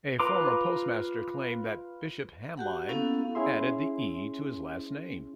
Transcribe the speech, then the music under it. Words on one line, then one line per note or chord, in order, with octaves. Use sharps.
A former postmaster claimed that Bishop Hamline added the "E" to his last name.
F4 B4 A#5 C6 D6
F#4 G4 F#5
A#3 B3 C#4 E4 A4 F5
C#4 E4 G#4 E5 C6